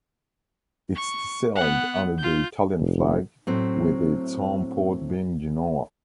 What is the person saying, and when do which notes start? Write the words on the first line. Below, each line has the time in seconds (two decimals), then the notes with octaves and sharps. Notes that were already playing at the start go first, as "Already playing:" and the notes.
It sailed under the Italian flag, with its home port being Genoa.
0.95 C#6
1.56 B3 F#5
2.18 F4 G6
2.80 F1
3.47 A2 F#3 C4